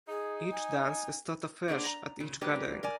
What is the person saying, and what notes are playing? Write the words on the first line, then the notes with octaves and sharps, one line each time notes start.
Each dance is taught afresh at each gathering.
D#4 G#4
G#5
A#3 B3 D4 G#4 A#4 C5
A#5
A#2 C#3
F#3 G#3 A#3 D4 G4 B4
A#4 D5 G#5